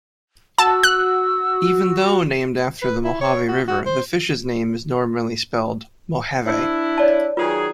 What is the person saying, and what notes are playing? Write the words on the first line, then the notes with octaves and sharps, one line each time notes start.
Even though named after the Mojave River, the fish's name is normally spelled "Mohave".
F#4 A5 E6
F#6
B4
E4
C#5
F#4
F#4
C5
D4 E4 C5
C#5 D5 A5
D#3 F#3 F4 G#4 B4